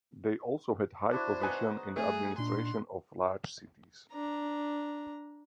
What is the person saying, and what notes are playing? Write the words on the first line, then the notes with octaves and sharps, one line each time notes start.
They also had high positions in the administration of large cities.
D4 E4 F#4 C5
D#4 B4 D#5 F#5 G#5
A3 G#4
A#2 D4 C6
D4 A#5